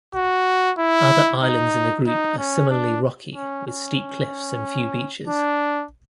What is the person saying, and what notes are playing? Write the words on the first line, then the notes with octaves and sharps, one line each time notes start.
Other islands in the group are similarly rocky with steep cliffs and few beaches.
F#4
E4
D#4
D#4
C#4
D4
C#4
C#4
D4